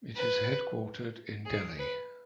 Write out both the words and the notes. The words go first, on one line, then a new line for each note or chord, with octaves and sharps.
It is headquartered in Delhi.
B4
G#4
B4